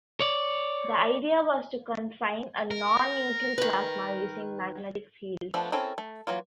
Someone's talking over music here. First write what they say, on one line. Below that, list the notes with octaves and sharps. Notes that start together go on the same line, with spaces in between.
The idea was to confine a non-neutral plasma using magnetic fields.
C#5 D5
A#4
D#3 B4
F3 A3 B3 D4
C4 C#4 E4 A4 A#4
A3
E3 F#3 A#3 F4